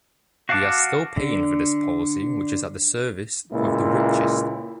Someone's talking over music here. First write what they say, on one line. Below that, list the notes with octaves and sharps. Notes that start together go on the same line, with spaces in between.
We are still paying for this policy which is at the service of the richest.
F#4 F5 F#5 A5 D6
D3
C#2 A#2 E4